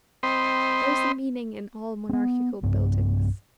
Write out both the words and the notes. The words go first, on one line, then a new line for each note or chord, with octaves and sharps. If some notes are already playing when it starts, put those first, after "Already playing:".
There is a meaning in all monarchical buildings.
C4 C5 D#5 G5 B5 C6
B3 C4
B1 G2